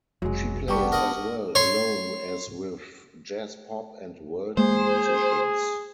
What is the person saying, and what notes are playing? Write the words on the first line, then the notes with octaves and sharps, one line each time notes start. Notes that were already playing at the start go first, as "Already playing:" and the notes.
She plays as well alone as with jazz, pop, and world musicians.
F1 B1 F#3 G#3
G3 B3 D4 G4 C#6
A#4 D#5 F#5
C#5 C6
G#3 A#3 G#4 C5